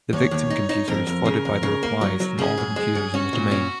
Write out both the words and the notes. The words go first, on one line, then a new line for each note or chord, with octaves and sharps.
The victim computer is flooded by the replies from all computers in the domain.
D#2 C#5
D#2
D#4
D#4
F2 A#4
F2
C#3
F2
C#3
A#3
F#3
F#3
C#3 G#4
F#2
G#3
F#2
C#4 F#4
A#2
C#4